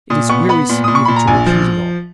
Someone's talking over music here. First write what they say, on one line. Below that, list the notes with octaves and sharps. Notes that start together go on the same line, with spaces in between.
It is wearisome even to repeat it all!
A#2 D#6
B3 C#6
B3 B5
A#2
A#2 D#6
C#6
A#2 B5
A#5
A#1 G#5
F3